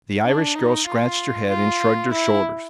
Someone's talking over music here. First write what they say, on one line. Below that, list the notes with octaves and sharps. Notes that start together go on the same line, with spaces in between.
The Irish girl scratched her head and shrugged her shoulders.
D4
D#4
F4
F4
E4